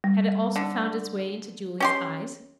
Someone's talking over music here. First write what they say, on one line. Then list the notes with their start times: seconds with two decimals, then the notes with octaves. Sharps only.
Had it also found its way into Julie's eyes?
0.04 G3
0.56 D3
1.80 C#4 G4 C6